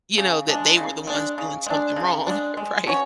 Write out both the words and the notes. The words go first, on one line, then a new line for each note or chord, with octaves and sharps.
You know, that they were the ones doing something wrong, right?
C#3
G#3 D4
C#3
G#3 D4
C#3
G#3 D4
C#3
G#3 D4
G#3
C#4 F#4 C#5